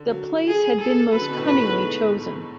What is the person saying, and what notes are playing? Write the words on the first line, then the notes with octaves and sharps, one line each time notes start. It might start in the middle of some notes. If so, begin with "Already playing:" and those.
The place had been most cunningly chosen.
Already playing: D3
F#3
G#4
A4
F#3 B4
D3
B2
A2
G#2 B4